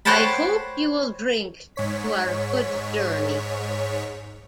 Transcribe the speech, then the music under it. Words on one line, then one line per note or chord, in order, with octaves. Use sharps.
I hope you will drink to our good journey.
C5 C#5 F#5 G5 A5 B5
G#2 C#5 B6